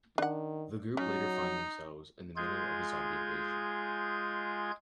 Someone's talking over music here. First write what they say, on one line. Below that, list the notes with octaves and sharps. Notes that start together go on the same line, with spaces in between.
The group later find themselves in the middle of a zombie invasion.
D#3 D4 F#5
F#3 C#4 D#4
G#3 F4 G#4 G6 G#6